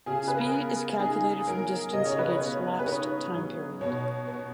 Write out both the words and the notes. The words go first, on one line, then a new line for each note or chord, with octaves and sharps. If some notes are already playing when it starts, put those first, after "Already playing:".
Speed is calculated from distance against lapsed time period.
C#3 G#4
B4
A#4
B3
D#4 G#4
F#3 A#4
C#3 D#5
C#5
B4
C#5
B3
B4
D#4 C#5
F#3
B2 C#5
B3